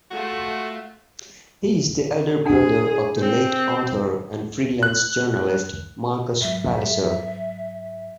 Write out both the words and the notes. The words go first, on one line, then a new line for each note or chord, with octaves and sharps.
He is the elder brother of the late author and freelance journalist Marcus Palliser.
A3 F4 F#4
D4 G#4 F#5
C4
F#6
G#2 F#3 E5